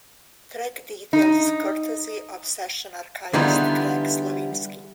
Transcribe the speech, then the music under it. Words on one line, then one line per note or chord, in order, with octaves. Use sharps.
Track details courtesy of session archivist Craig Slowinski.
D#4
D3 E3 G3 B3 D#4 F4